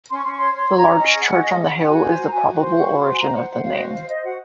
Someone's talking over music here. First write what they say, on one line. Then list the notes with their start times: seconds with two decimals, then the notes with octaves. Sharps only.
The large church on the hill is the probable origin of the name.
0.10 C#4 C6
0.17 C#6
0.24 C#4 C6
0.31 C#6
0.38 C#5 C6
0.54 C#5 C6
0.69 C#5
0.76 A#5
0.84 C#4
0.99 C#4 D#5
1.14 G#4
1.20 F#5
1.28 C#4
1.43 G#4 D#5
1.58 C#4
1.65 F#5
1.73 C#4
1.78 F#5
1.87 F#4 G#5
2.01 C5
2.17 F#4
2.26 A#5
2.31 F#4 G#5
2.46 F#4
2.60 C5 C6
2.76 F#4 C#6
2.90 F#4
2.98 C6
3.05 C5
3.13 G#5
3.20 C5 A#5
3.34 C5 F#5
3.49 C5 F#5
3.63 F#4 F5
3.75 C5 D#5
3.89 C5 F5
4.08 C5 D#5
4.23 F#4 F#5